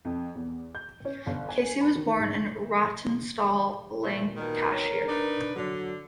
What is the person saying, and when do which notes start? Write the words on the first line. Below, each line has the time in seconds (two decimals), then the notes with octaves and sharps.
Casey was born in Rawtenstall, Lancashire.
0.05 F2
0.35 E2
0.75 G6
1.05 C#4
1.26 G1
1.49 G#5
1.81 B5
1.95 D#3
2.19 G#2
4.03 A#2 F3 A3
4.36 B2 D#3 A#4
4.71 C#5
5.08 D4 D#4 B4 D5
5.56 D3 F#3